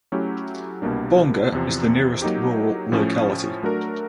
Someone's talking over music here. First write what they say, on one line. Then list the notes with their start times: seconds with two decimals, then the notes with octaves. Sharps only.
Bonga is the nearest rural locality.
0.12 F#3 A3 C#4 E4 G4
0.82 C2 B2 G3 A#3 D4
1.52 E2 C3 F3
2.22 F#3 A#3 D#4 G4
2.92 A2 F3 A3 C#4
3.63 F#3 A3 D4 F#4 A#4